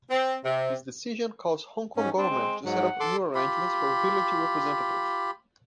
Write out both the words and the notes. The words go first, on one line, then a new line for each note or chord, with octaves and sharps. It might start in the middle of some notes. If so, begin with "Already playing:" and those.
This decision caused Hong Kong Government to set up new arrangements for Village Representative.
C4
C3
G#2 C#4
C4 D4
G#3
G#2 F#3 F#5
A4 C6 D6
F4 G4 B5